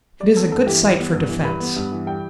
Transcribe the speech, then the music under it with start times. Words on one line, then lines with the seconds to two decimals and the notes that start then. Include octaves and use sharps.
It is a good site for defense.
0.20 G3 D5
0.36 B3 A4
0.52 G2 A4
0.67 E3 G4
0.82 G3
0.98 B3
1.13 G2
1.29 E3
1.45 G3 B4
1.60 B3
1.76 G2
1.92 E3
2.06 G3 G5